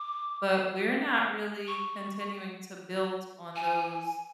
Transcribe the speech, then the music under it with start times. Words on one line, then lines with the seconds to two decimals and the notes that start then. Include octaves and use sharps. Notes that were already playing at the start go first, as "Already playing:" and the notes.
but we're not really continuing to build on those
Already playing: D6
1.67 C#6
3.56 G#5